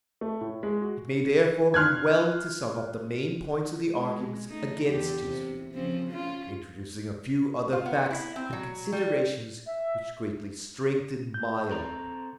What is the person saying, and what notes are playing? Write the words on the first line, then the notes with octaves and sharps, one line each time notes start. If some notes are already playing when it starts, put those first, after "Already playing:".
It may therefore be well to sum up the main points of the arguments against his view, introducing a few other facts and considerations which greatly strengthen my argument.
A3
A2
G#3
F#4
C6 F6 F#6 G#6
G#3
A3 D#4
E2 D3 G4
C3
C#3 F3 C4
C#4 F4
F4
B3
E4
C4
F#3
G3
E5
G6
C4 A4 A#5